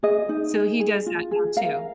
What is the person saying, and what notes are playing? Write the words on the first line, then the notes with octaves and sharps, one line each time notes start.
So, he does that now too.
G#4 D#5
D#4
G#4
G#4
F4
G#4
A#4 F5